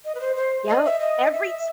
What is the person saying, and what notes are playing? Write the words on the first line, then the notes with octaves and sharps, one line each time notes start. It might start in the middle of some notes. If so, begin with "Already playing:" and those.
Yep, every
D#5
B4
C5
C5
D#5
E5
D#5
E5